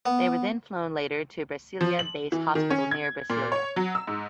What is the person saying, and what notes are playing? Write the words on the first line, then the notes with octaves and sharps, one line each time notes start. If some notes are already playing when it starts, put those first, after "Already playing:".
They were then flown later to Brasilia Base Hospital near Brasilia.
B3
F3
F#7
E3
D#3
C#4
G#6
A#2
C#5
F#3
E6
G#2